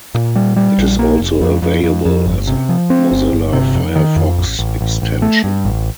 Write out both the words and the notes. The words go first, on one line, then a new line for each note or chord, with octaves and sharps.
It is also available as a Mozilla Firefox extension.
A#2
G3
G3
A#1
A#3
F1
F2
F2
F2
F2
G1
C3
F3
C4
G1
G1
C3
F2
D#3
F2
A1
A1
A1
A1
A3
G2
A1